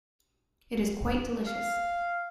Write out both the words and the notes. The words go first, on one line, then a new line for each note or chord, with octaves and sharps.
It is quite delicious!
F5